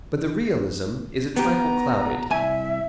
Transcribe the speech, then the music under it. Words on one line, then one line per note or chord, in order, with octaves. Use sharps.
But the realism is a trifle clouded.
B3 G4 A#5
C2 E5 G#5